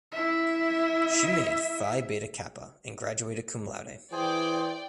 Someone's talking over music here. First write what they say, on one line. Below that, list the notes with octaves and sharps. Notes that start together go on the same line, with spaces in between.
She made Phi Beta Kappa and graduated cum laude.
E4 E5
E3 G#4 C5 D5 G5 G#5